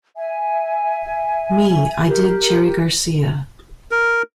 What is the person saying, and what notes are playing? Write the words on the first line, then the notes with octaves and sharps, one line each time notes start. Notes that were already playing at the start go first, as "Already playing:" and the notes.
Me, I dig Cherry Garcia.
E5 G#5
G4 A#4
A#4